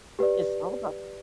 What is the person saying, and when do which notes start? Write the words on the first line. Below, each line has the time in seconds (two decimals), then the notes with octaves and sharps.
It's all about
0.19 G4 B4 D5